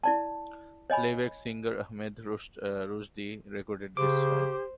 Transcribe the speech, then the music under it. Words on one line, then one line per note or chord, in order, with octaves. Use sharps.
Playback singer Ahmed Rushdi recorded this song.
E4 D5 A5
C#5 D#5 G#5 B5
C#3 G4 C5 D6